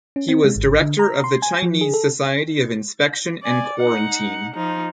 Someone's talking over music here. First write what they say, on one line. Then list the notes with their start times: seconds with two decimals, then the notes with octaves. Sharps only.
He was director of the Chinese Society of Inspection and Quarantine.
0.16 C#4
0.28 C4
0.45 G#3
0.56 G#1
0.81 D3
0.99 A#5
1.24 C6
1.42 G#5
1.62 F3
1.81 G#4
1.94 A4
3.43 D5 G#5
3.79 D#4 F#5
4.54 F3 D#4